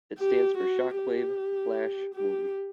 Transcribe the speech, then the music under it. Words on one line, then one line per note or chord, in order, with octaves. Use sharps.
It stands for Shockwave Flash Movie.
G4
F#4
G4
G4